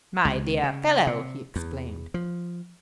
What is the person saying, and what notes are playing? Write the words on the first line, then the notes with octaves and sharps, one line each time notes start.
"My dear fellow!" he exclaimed.
C#2
C#3
C3
E2
F3